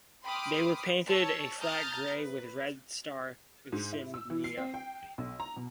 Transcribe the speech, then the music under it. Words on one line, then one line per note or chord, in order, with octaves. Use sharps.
They were painted a flat gray with red star insignia.
G5 B5 C6 D6 D#6 F6
C#5 A5 E6
A5 A#5 D#6 F6 G6 A6
B4
G#2
E4
E6
E3
C7
C4
G5
B1
A#5
B2